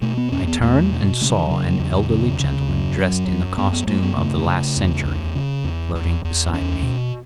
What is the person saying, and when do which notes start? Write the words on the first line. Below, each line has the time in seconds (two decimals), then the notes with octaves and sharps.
I turned and saw an elderly gentleman, dressed in the costume of the last century, floating beside me.
0.02 B2 A3
0.17 B3
0.31 E2 C#4
0.47 B3
0.62 E2 A3
0.91 B2
1.21 C#3 A3
1.30 F#3
1.38 E3
1.47 C#3 F#3
1.79 E2
2.10 C#3
2.40 C#3
2.69 F#2
2.98 F#2 F#3
3.28 F#2
3.58 F#2 B3
3.72 B3
3.87 F#2 A3
4.02 B3
4.17 C#3 A3
4.46 C#3
4.77 E2
5.05 E2
5.35 C#3
5.64 E2
5.95 E2
6.24 E2
6.53 E2 C#4
6.83 B2